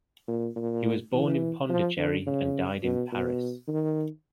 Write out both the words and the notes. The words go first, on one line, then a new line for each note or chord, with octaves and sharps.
He was born in Pondicherry, and died in Paris.
A#2
A#2
E3
F3
D3
C#3
B2
B2
D#3